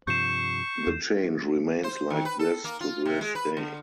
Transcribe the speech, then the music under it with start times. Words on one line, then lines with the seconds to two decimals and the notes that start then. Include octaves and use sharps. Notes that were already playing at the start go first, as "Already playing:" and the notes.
The change remains like this to this day.
0.07 G2 C3 F3 C#6 G6 C7 E7
0.87 E2
1.84 C5
2.10 D#3
2.25 B4
2.39 A4
2.64 A#3
2.80 F4
3.05 C3
3.21 G#3
3.35 B4
3.57 D3